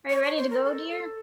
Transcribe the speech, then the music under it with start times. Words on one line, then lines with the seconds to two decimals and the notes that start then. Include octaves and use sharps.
Are you ready to go, dear?
0.10 C#5
0.23 C#5
0.37 C5
0.50 A#4
0.64 A4
0.90 A4